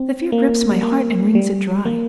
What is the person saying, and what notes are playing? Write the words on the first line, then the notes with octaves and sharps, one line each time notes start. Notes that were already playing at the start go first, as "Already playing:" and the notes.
The fear grips my heart and wrings it dry.
Already playing: C4
A#3
G3
A#3
G3
A#3